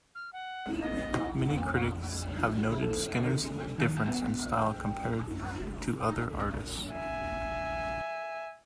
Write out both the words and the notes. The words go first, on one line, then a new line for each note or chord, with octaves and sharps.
Many critics have noted Skinner's difference in style compared to other artists.
F6
F#5
D#5
F2
A4
D#3
B3
G5
F#2
F#1
D#4
C#2
E5 G#5